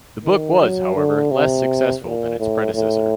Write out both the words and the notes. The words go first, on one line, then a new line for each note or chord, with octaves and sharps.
The book was, however, less successful than its predecessor.
D#3
F#3
D3
C3
A#2
A2
A2